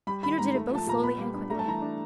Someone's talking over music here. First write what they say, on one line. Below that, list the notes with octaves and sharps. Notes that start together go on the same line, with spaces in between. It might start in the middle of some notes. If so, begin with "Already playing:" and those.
Peter did it both slowly and quickly.
G3 B5
D#3 B5
G#2 A#5
A3
F3 A5
A#2 A#5
B3 B5
G3
D4
A3 A#5
A5
E3 A#5
D4